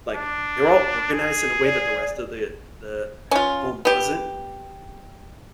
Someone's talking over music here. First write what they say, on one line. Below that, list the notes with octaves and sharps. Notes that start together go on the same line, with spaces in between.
like they were all organized in a way that the rest of the the h home wasn't,
D4
G#4
D5
C#4 F4
B3 G4